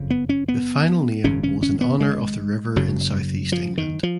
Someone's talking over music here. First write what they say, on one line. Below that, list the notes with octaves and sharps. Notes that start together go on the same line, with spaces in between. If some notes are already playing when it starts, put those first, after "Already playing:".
The final name was in honour of the river in South East England.
Already playing: F#1 F2 C#3
B3
C#4
B3
G#1 F#2 C#3 C#4
C#4
C#4
B3
G#3
F#1 F#2 C#3 F#3
F3
D#3
F3